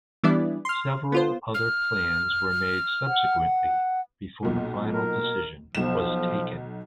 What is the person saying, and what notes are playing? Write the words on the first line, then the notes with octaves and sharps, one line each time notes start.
Several other plans were made subsequently before the final decision was taken.
E3 G3 B3 D4 E4 D5
C6 F6
B3 F4 C5
F6
F#5
B1 A#2
A#4
B1 F3 E7